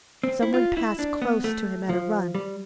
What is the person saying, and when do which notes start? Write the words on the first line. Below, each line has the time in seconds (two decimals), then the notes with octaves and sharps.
Some one passed close to him at a run.
0.24 C4
0.42 E4
0.54 F4
0.77 E4
0.99 D4
1.22 B3
1.44 A3
1.89 F3
2.35 G3